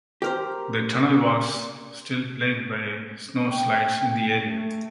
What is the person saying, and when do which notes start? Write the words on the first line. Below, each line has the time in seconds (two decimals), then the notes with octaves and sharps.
The tunnel was still plagued by snow slides in the area.
0.22 G4 A#4 C5
3.49 G5
4.42 A3